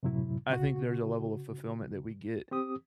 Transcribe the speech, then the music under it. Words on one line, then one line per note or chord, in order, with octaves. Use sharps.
I think there's a level of fulfillment that we get
F#2 A2 C3 F#3 E4
C#3 F#4
C4 G4 D#6